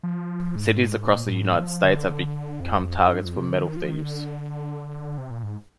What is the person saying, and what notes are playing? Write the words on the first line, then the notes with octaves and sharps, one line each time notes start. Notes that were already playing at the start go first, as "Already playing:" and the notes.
Cities across the United States have become targets for metal thieves.
F3
G#2
A#2
A#2
G#2
F3
D3
D3
F2
G2
F2
C3
D3
D#3
F3
D#3
D3
C3
A#2
G#2